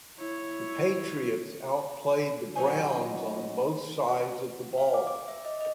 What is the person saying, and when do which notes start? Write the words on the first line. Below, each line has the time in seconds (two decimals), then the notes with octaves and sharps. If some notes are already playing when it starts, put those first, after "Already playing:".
The Patriots outplayed the Browns on both sides of the ball.
0.18 E4 C#5
2.55 A#2 F#3 C#4 D#4 C5 G#5
4.06 F#4
4.78 F5
4.94 D6
5.07 D6
5.28 E5
5.45 D#5
5.61 D#5